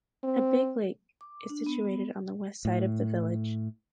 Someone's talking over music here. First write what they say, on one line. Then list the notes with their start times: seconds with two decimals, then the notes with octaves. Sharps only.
A big lake is situated on the west side of the village.
0.24 C4
1.21 D6
1.50 D4
1.66 B3
2.65 A2